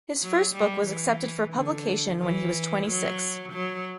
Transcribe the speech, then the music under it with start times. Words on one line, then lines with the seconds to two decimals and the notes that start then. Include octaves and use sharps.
His first book was accepted for publication when he was twenty-six.
0.22 F#3
0.54 G3
0.87 E3
1.54 D3
2.19 E3
2.86 F#3
3.52 F#3